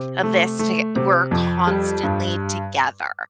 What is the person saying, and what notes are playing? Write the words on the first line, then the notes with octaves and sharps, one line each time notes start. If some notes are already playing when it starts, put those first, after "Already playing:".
uh, this toge" We're constantly together.
Already playing: C3
A3
A3
C3
F2
G3
G2